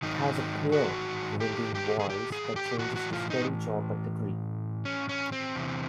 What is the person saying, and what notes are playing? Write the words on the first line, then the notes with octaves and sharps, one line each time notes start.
It has a clear, ringing voice that changes to steady chop at the tree.
G#2 D#3 F#3 D#4
F#4
G4
G4
G#4
G4
G#4
G4
A2 E3 F#4
F#4
F4
D#4
C#4
C#4
C4
E2 C3 E3